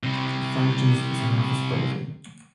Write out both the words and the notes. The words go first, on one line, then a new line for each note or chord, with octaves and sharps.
It functions as an office building.
C3 G3